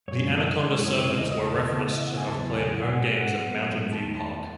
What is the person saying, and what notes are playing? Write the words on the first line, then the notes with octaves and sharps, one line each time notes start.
The Anaconda Serpents were referenced to have played home games at Mountain View Park.
F#2 C#3 G#3 C#5
A4
F#2 C#3 G#3 C#4 E4 C#5
C#5
E2 C#3 E3 D#5
D#5
A5
A5
C#3 E3 B3 E4
D#5
E5
F#5
G#5
E2 C#3 F#3 B3 E4 A5
G#5
G#2 E3 F#5
G#5
F#5
G#2 F#3 B3
E2 D#3 A3 D#4 A5
A5